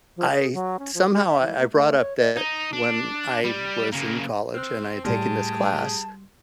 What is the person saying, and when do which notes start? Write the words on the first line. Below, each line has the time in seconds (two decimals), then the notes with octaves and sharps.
I somehow, I I brought up that when I was in college and I had taken this class,
0.17 F3
0.31 G#4
0.54 F#3
0.79 C#4
0.94 F3
1.09 G4
1.27 E5
1.42 E3
1.58 A#3
1.73 A3
2.00 C#5
2.18 D#5
2.36 D#4
2.73 D4
3.44 G3
3.92 C#3 A#3
4.55 C4 F6 F#6
5.05 A2 G3 A3 G4 G#4 A5 C6 F6